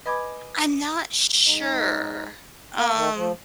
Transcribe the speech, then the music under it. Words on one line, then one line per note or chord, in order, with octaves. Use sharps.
I'm not sure, um.
B4 D#5 G#5 B5 D6 G#6
G#2 D#4
A#3
D#3
F3